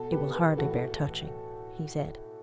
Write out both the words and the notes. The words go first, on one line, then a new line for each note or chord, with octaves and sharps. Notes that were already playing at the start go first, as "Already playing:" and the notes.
"It will hardly bear touching," he said.
Already playing: B2 F#4 A4
G4 B4
G4 B4
A2 E3 F#4 A4